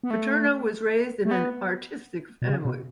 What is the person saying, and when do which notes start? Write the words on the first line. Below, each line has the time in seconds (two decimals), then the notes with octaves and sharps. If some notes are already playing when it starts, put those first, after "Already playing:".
Paterno was raised in an artistic family.
0.03 B3
0.11 A3
1.25 A3
1.31 B3
2.42 B2
2.50 C#3
2.65 B2